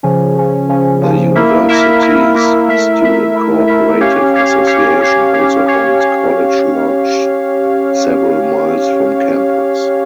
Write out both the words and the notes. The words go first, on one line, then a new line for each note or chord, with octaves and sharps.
The university's Student Cooperative Association also owns College Lodge several miles from campus.
C#3 F3 C#4
C#3 F3 C#4
C#3 F3 C#4
C#3 F3 C#4
A#3 E4 A#4 E5
A#3 E4 A#4 E5
A#3 E4 A#4 E5
A#3 E4 A#4 E5
A3 E4 A#4 E5
A3 E4 A#4 E5
A3 E4 A#4 E5
A3 E4 A#4 E5
C#4 G4 C#5 F5
C#4 G4 C#5 F5
C#4 G4 C#5 F5
C#4 G4 C#5 F5
C#4 G4 C#5 F5
C#4 G4 C#5 F5
C#4 G4 C#5 F5